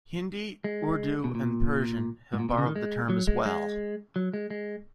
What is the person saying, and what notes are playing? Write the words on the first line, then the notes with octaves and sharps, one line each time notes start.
Hindi, Urdu and Persian have borrowed the term as well.
G#3
B2
A#2
G#2
A#2
B2
C#3
D#3
G#3
F#3
G#3
G#3
F#3
G#3
G#3